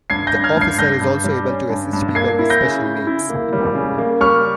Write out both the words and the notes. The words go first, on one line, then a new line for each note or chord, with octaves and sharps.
The officer is also able to assist people with special needs.
G2 G#6 C7
G6 A#6
G2
F6 G#6
G2
G#6 C7
G2 G6 A#6
G2
G3
C#4
G2
G2
A#3 G#6 C7
E4
G6 A#6
C#3
E4
E4
A#3
G3
C#3
A#3
G3 C#6 F6